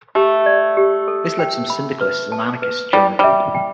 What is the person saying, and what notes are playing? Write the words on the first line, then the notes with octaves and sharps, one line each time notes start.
This led some syndicalists and anarchists to join the group.
A3 G4
D5
G4
A4
G5
B5
B4
A5
B4
G3 E4
G3 E5
G5